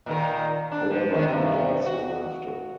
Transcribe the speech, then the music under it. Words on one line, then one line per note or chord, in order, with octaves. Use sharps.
However, he died soon after.
A#2 D#3 A#4
D4
F3
D#3 D4
G2 C3
F#4